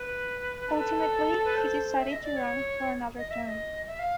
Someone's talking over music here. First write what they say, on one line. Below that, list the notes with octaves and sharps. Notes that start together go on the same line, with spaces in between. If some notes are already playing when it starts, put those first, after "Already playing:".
Ultimately he decided to run for another term.
Already playing: B4
A4
B4
C5
E5
D#5
D5
C#5
D#5
E5
E5
D#5
E5
F5